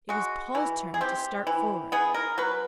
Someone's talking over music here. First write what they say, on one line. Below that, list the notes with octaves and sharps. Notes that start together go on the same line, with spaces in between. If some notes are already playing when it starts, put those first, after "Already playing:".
It was Paul's turn to start forward.
G#3 F#4
E3
G#4
C4 G4
E3
B3 G#4
A#4
F#3 B4